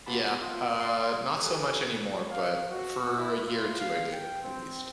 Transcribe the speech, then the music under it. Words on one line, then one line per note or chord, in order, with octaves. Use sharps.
Yeah, uh, not so much anymore, but for a year or two I did, at least.
B3 F4 G4 A5 B5
F4
D5 F5 C6
G4 A4 G#5 D#6 F#6
F5
F#4
E4
F4
F5
G5
C4